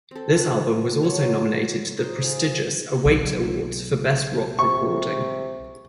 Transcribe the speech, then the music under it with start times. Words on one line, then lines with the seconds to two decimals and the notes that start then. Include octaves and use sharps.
This album was also nominated to the prestigious Awit Awards for Best Rock Recording.
0.11 C4 A4
0.41 F#5
1.01 F#3 C#5 A5
1.99 D#4 C5
2.23 F4 G#4
3.05 B1
4.59 C3 C#6